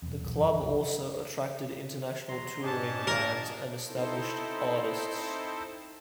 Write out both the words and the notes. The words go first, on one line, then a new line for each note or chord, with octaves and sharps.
The club also attracted international touring bands and established artists.
E1 F2
E1 B1
F#1 F#2 E3 F3
F#1 C2 F#2 F3
E2 F#3 A#5 C6
G#2 D4 G4 G#4 C#5 D#5 A5
A#4
C4 D#4 E4 A4 C5